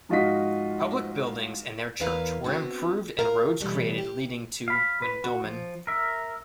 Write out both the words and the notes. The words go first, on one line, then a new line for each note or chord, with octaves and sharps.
Public buildings and their church were improved and roads created leading to Guindulman.
G#2 F3 F4 F#4 D#5 B6
E2 E4 A#4 B4 F5 A#5
B3 C4 D4 F#4
A#4 F5 A#5
B2 E3 G3 A3
G4
F5 B5
B4
F#4
F3
A#4 E5